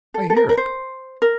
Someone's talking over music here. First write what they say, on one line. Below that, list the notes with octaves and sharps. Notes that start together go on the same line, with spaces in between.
I hear it.
A4
A4
A#4
A#4
C5
A#4